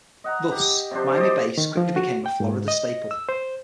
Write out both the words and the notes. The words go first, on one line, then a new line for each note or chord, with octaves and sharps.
Thus, Miami bass quickly became a Florida staple.
D#5 F#5 A#5
G4
C3 F3 D4 C5
C5 D5 D#5
D#3
F3
F#4
G5
G#2
D#5
E6
C5